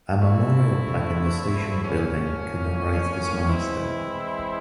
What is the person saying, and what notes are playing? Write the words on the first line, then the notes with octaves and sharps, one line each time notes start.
A memorial plaque in the station building commemorates this milestone.
D3 F3 A3 C4 E4
A2 F3 A#3 C#4
E3 G#3 C4 E4